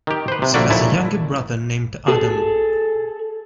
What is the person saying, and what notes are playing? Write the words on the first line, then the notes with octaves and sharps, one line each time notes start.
She has a younger brother named Adam.
D#3 G4
B4 C5
C3
A#1 D3 A3 A#3 F#4 D5
A#1 D#2 A#2 A3 E4 G#5
G#4 A4